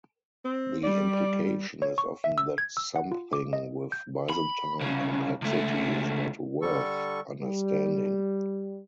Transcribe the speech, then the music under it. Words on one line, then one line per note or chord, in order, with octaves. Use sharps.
The implication is often that something with Byzantine complexity is not "worth" understanding.
C4
G3 D5
C#5
C#6
E5
E6
G#6
E6
F#5
F4
D6
D#5
G6
B5
C2 C#3
C#2 A3
D3 G3 A4 C#6
G3